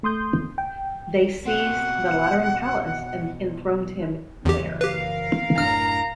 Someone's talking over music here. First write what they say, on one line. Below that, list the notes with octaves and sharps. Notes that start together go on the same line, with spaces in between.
They seized the Lateran Palace and enthroned him there.
A3 C6 D#6 G6
G5
B2 C4 F#5
F#1 E2 E3 F#3 G4
G4 A#4 B4 F5
F#2 A2 D4 A#5 F6